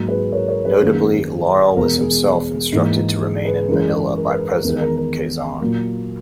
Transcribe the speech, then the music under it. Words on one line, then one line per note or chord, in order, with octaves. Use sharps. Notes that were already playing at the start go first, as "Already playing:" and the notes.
Notably, Laurel was himself instructed to remain in Manila by President Quezon.
Already playing: G#2 F#3 A#3
G#4 B4
A#4 C#5
A#4 C#5
G#4 B4
F#2 D#3 A#3 G#4
G#4
E2 B2 G#3 A#4
G#4
G#2 E3 A#3
G#4
G#4 B4
F#2 E3 G#3 A#4
G#4
A#4
B4
A#4
A#4
E2 D#3 G#3 A#4
A#4
A#4
A#2 F#3 A#3